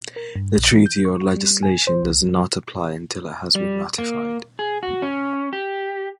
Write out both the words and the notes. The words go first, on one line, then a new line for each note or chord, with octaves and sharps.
The treaty or legislation does not apply until it has been ratified.
A#4
G2
A#1
E3
G6
C#6
G3
G3
G#5
C5
C2
F#3
G3
A#3
G#4
F#4
C#4
G4